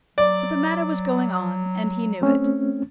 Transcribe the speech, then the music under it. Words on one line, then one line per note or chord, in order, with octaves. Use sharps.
But the matter was going on, and he knew it.
F#3 D5
A3 C4 C#4